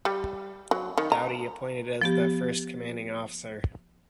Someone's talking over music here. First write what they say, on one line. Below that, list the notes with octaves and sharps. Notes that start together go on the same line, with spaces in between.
Dowdy appointed as the first Commanding Officer.
G3
F#3
D#3
A#5
F3 B3 G4